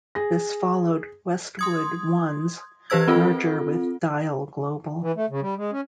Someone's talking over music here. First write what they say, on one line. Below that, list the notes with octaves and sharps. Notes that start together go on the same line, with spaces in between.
This followed Westwood One's merger with Dial Global.
G#4 A#6
C6 D#6 G#6
E3 G4 B4 C5 E6 G#6
C4 F4 A4
E3
A3
C#3
G3
G#3
C#4